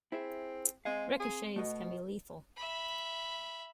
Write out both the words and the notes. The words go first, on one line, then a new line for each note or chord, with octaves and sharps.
Ricochets can be lethal.
C4 E4 G#4 E5
G#3 C4 F5
G#4
B2 A3 F#4 D#5
E5 B5